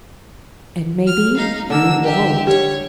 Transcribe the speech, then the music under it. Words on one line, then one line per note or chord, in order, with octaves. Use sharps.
"And maybe you won't."
F6
D#4 F5
D3 D4 A#4 E6
G4 E5
G4 C#5